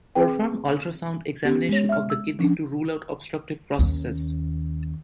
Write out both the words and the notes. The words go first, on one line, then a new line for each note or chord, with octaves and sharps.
Perform ultrasound examination of the kidney to rule out obstructive processes.
C4 G#4 B4 G5
B3 C#4 G4
G#3 C#5
E5 F6
E6
F3 C#4 D4
D#2 C#4